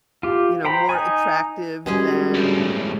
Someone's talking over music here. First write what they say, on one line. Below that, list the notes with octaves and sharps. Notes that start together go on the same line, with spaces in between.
you know, more attractive than,
F4 G4
C5 G5 A#5 B5
D#4 G#5
F#2 G3 G#3 C#4 G#4
C#2 A2